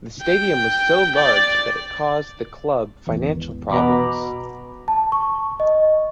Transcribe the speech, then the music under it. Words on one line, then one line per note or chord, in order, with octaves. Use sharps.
The stadium was so large that it caused the club financial problems.
G5
D5
G#1 E2 E3
B2 A#5 B5 D6
A5
C#6
D#5